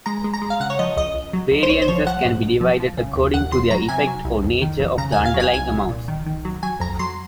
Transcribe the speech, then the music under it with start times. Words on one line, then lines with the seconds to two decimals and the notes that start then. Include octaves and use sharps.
Variances can be divided according to their effect or nature of the underlying amounts.
0.06 G#3 A#5
0.24 G#3
0.34 A#5
0.42 G#3
0.50 F5
0.60 C#3 F#5
0.70 C#5
0.79 F3 D#5
0.96 C#2 D#5
1.15 C#2
1.33 F#3
1.51 C#2
1.63 C5
1.69 A#1 C#5
1.82 C5
1.88 F3 C#5
2.07 F3 F#5
2.25 G#2
2.42 A#1
2.61 F3
2.80 F3
2.98 C#3
3.16 D#2
3.34 D#2 F#5
3.52 D#2 C6
3.71 F#3 A#5
3.88 C3 G#5
4.07 F#3
4.25 C2
4.43 F2
4.62 D#3
4.80 F2
4.98 C#3 A#5
5.12 G#5
5.16 D#2
5.26 F5
5.34 F#3
5.40 G#5
5.54 C2 G#5
5.72 C2
5.89 A#2
6.08 D#3
6.26 D#3
6.45 F#3
6.63 F#3 G#5
6.80 F2 A#5
6.99 F#3 C6